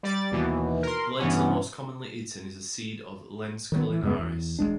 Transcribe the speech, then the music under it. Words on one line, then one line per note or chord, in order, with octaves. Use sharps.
The lentil most commonly eaten is the seed of "Lens culinaris".
G3 D5 A6
D#2 B2 E3
A#4 C6
G2 E3 B3 C#4
D#3 F#3 B3
E3
F#2 C#3 G#3 B3
E2
E1 G2 G#3 D4